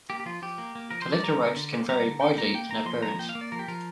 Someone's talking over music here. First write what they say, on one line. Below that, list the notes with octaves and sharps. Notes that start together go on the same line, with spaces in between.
Collector roads can vary widely in appearance.
A#3 G4
G4
F3 F4
F3 G4
A#3
A#3
F3 A#4
C5
F3
D5
G3 A#5
D3
D3
A#3
G3 A#5
D3
D3 G5
A#3 A#5
A#3 G5
A#3 A#5
F3 C6
F3 A#5
A#3 G5
F5
A#3
D5
F3 A#4
G4
F3 A#4